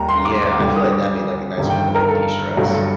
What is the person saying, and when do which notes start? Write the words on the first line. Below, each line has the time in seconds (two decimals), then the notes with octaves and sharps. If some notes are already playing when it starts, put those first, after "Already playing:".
Yeah, I feel like that'd be, like, a nice way to, like, de-stress.
Already playing: D#2 D#3 G3 A#5
0.09 C6
0.25 D6
0.42 D6
0.59 D2 D3 G3
0.76 D#6
0.92 D6
1.58 G1 G2 D#3
1.70 G5
1.95 A#4
2.08 A4
2.56 G1 G2 D3 F#3 A3
2.74 A4